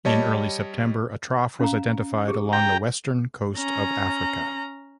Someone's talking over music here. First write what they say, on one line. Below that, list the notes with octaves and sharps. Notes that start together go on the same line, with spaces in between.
In early September, a trough was identified along the western coast of Africa.
G3 C#5 D#5 A5
C#4 F5 A#5
G4 G#4
G5 A#5
C#4 A#5